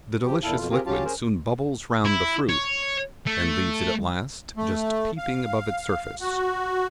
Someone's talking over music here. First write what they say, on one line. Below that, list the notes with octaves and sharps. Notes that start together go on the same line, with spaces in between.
The delicious liquid soon bubbles round the fruit, and leaves it at last just peeping above its surface.
F3 G4
E2 A#2 E4 A4 F5
F2 B2 F4
C4 F4 G4 G#4 A#4
F#3 C#4 F4 G4 F5 A5
C#4 G#4 A#4 C5
E4
C#5
A3
A3
F5
F#4